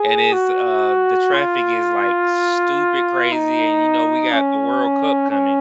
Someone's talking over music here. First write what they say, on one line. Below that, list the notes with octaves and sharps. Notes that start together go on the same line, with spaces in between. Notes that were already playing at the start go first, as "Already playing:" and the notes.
and it's, uh the traffic is, like, stupid crazy, and, you know, we got the World Cup coming
Already playing: G#4
F#4
F4
D#4
C#4
C#4